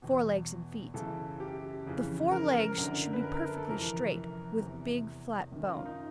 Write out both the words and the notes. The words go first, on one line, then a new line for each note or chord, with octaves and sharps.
FORE-LEGS AND FEET--The fore-legs should be perfectly straight, with big flat bone.
E2 B2
F#2 C#3 E3 A4
G4
F2 C#3 E3
A#4
A#4
F#2 D3 A#4
B4
A#4
A#4
A4
A4
F2 C3 E3 A#4
E2 C3 E3
F#2 D#3
A#4
F4
D#4